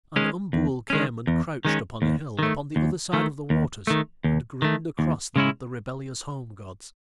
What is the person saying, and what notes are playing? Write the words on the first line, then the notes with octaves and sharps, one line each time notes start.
And Umbool came and crouched upon a hill upon the other side of the waters and grinned across them at the rebellious home gods.
D#3 G#3 C#4
E2
D#3 G#3 C#4
E2
D#3 G#3 C#4
D#2
D#3 A3
D#2
D#3 A3
D#2
D#3 A3
D#2
D#3 A3
D#2
C#3 G#3 C#4 E4